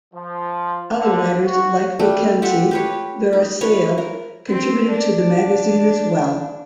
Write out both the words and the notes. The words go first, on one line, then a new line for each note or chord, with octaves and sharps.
Other writers like Vikenty Veresayev contributed to the magazine as well.
F3
D3
F#4
G3 A3 D4 G4
F4 G4 E5 F#5
G4 B4 C#5
D#4
F4 B4 C#5
A#4
C4
D4